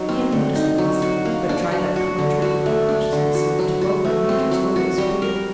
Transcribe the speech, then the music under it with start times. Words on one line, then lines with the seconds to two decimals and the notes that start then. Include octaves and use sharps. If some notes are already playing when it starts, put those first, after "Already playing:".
He had noticed the master, but tried that common trick of unconsciousness in which vulgar natures always fail.
Already playing: F#3 D#4
0.09 C4
0.32 D3
0.55 D#4
0.78 F#3
1.02 F#4
1.25 A#3
1.49 D4
1.71 F#3
1.96 F#4
2.19 D3
2.42 F#4
2.66 A3
2.89 D4
3.12 D3
3.35 F#4
3.59 F#3
3.81 F#4
4.05 A3
4.29 C4
4.51 F#3
4.76 F#4
4.98 G3
5.22 A#4